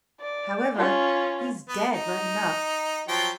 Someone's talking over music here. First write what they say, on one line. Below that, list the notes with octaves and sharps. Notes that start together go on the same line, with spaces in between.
However, he's dead right enough.
D5
C#4 F4
B3
D#4
F3 F#3 G5